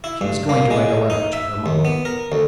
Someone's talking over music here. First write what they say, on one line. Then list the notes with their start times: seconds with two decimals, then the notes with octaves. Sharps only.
She was going to write a letter to her mamma.
0.04 E4
0.21 G2
0.49 A#3
0.70 G#3
1.10 D#4
1.33 E5
1.66 D#2
1.85 B3
2.05 A#4
2.32 D2